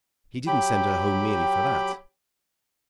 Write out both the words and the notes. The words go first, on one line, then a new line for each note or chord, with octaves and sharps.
He didn't send her home merely for that.
F#3 G4 G5 B5